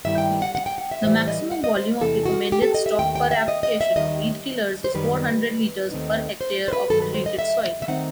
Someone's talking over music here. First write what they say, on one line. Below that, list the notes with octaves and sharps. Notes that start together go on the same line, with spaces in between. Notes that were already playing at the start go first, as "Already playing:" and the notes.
The maximum volume of recommended stock per application of weed killers is four hundred liters per hectare of treated soil.
G2 D#3 G3 B3 E4 E5
G5
F#5
F#5
G5
F#5
E5
A2 E3 G3 C5
D#5
F#5
D#5
C5
E2 C3 E3 A4
F#4
G4
A4
D#5
E5
D#2 D#3 A3 G5
G5
E5
D#5
D#5
E5
D#2 D#3 G3 D#4 D#5
C5
F#2 D#3 G3 B4
D#2 D#3 A3 C4 D#4
C5
C5
B4
G2 D#3 F#3 A4
B4
C5
D#5
E5
E5
D#3 A3 C4 D#4 F#5